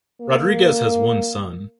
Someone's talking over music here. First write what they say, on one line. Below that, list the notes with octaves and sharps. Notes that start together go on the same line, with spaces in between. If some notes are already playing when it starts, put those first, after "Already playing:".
Rodriguez has one son.
A#3